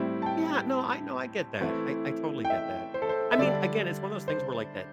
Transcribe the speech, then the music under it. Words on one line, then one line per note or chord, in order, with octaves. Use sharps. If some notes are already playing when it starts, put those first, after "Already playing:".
Yeah, no, I no, I get that, I I totally get that. I mean, again, it's one of those things where, like, that
Already playing: A2 G3 C4 E4
A5
G5
E3 A3 C4 E4
G5
E5
C5
A4
C5
E5
D3 G3 D4 D5
C5